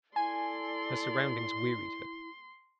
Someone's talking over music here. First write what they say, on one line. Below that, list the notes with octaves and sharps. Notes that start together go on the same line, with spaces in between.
Her surroundings wearied her.
E4 A4 D5 G#5 C6